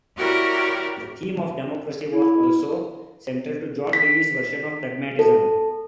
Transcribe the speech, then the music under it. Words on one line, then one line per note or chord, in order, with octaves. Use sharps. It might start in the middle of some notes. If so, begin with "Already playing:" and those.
The theme of democracy was also central to John Dewey's version of pragmatism.
E4 F#4 G4 A#4 C#5 D5
E4
B6
A4